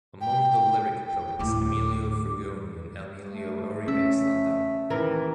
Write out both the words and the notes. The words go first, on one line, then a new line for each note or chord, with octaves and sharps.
Among the lyric poets, Emilio Frugoni and Emilio Oribe stand out.
G5
G5
D2 A2 D6
A3
C#4 E5
D#2 E3 A#4